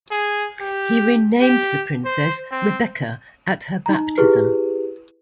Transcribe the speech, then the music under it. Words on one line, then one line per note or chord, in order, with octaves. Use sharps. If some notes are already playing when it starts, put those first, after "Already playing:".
He renamed the princess "Rebecca" at her baptism.
G#4
G4
G4
C5
C4
D#4 A#5
E4 G4 G#4 B4